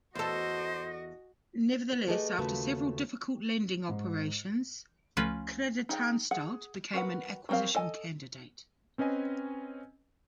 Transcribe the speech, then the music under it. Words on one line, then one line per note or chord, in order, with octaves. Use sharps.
Nevertheless, after several difficult lending operations, "Creditanstalt" became an acquisition candidate.
E2 F#4 A4 C5 D#5
B4
A3 G4 G#4 B4 D5 D#5
D#2 C#3 A3 F4 F#4 B4
G#2
C#2 F3 A3 C#4 F4 B4
D#4 G#4 G5
G#4 F#5
F#4 A#4 B4 F#5
F#3 G3 C4 A#4 F5
A4 D#5 G#5
C4 C#4 B4 D#5 G#5